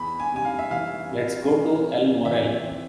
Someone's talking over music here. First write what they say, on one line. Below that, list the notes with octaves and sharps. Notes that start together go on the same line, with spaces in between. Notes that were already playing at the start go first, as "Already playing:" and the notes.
Let's go to El Morell.
Already playing: E2 B5
G#5
C3 G#5
F5
E5
E3 F5
C3
E3
C4
E3 E5
C4